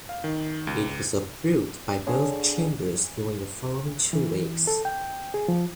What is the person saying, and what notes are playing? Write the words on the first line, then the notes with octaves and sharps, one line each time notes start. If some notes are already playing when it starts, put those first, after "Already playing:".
It was approved by both chambers during the following two weeks.
F5
D#3
C#2
D3 G#4 C#5
E3
A4
G5
G#4
F3